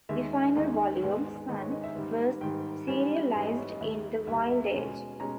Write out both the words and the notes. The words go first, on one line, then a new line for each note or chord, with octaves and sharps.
The final volume, "Sun", was serialized in "The Wild Age".
D#2 D#3 G#3 E5
D#2 D#3 G#3
G#2 D#3 G#3 B3
G#2 D#3 G#3 B3 D#5
C#5
D#5
E5
G#2 D#3 G3
G#2 D#3 G3 G5
G#2 E3 G3 C#4
G#2 E3 G3 C#4 E5
D#5
C#5
D#5
D#2 D#3 G3 E5
D#2 D#3 G3 E5
E5
B2 G#3 C#4
B2 G#3 C#4 A#5